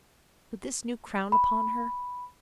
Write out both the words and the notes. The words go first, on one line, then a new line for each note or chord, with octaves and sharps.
With this new crown upon her!
B5